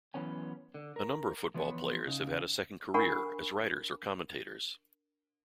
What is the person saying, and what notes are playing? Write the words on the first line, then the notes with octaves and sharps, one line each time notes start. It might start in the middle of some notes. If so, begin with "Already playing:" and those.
A number of football players have had a second career as writers or commentators.
F#2 E3 B3 C#4 G#5
D3
A#4
E3 F3 B3 B4 C#5
C#3 D#4
D4 A#4 F#5 G#5 B5 C#6